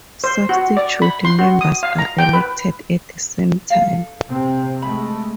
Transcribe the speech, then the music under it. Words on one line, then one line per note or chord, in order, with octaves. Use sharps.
Substitute members are elected at the same time.
C5
F#4
D5
B5
C6
F#4
D#6
F5
A#5
G5
B4
A4 F5
C3 C4
G#3 A3 B5